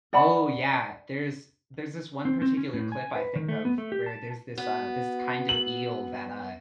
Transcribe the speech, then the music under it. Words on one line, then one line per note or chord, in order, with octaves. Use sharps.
Oh, yeah. There's there's this one particular clip I think of where there's this, uh this kind of eel that, uh
D5 F#5 A5 B5
C4
C4
C#4
A2
G#5
B4
D#3
A3
B3
A3
G4
A5
B3 F#4
F#7